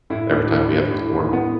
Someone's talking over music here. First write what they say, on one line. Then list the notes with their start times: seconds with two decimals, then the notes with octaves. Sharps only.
every time we have a storm.
0.10 A2 E4
0.31 A2 D4
0.51 E3
0.71 A2
0.91 A2
1.13 A2
1.33 A2 B3